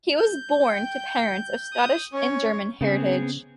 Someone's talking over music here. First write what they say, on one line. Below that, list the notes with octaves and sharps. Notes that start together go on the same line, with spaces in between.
He was born to parents of Scottish and German heritage.
G6
G5
D#6
C#4 C#5
C#3 B3 C4 G#4